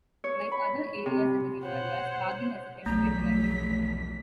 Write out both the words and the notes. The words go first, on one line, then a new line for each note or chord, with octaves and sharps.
Like other areas in the Himalayas, Kargil has a temperate climate.
C#5
B5
C3
C5 C#5 F#5
B1 E2 F3 F#3 A3 B6